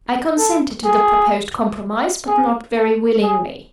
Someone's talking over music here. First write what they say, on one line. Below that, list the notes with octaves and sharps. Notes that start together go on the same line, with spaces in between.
I consented to the proposed compromise--but not very willingly.
A4
G#4
G#4
A4
G#4